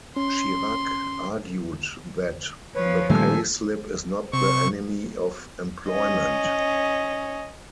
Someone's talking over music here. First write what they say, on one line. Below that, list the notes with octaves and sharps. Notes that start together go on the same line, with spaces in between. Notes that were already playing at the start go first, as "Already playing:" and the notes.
Chirac argued that "the pay slip is not the enemy of employment".
C#4 C6
F3 B4 C#5
A#2 D#3 G3 A3 C#4 A4 G#5
C3 C#6
C#4 D#5